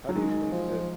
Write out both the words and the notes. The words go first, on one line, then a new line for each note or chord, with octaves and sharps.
How do you think that
F#3
D#3 G#3
F3